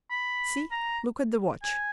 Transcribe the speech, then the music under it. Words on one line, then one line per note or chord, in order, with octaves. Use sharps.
See, look at the watch.
B5
A#5
G#5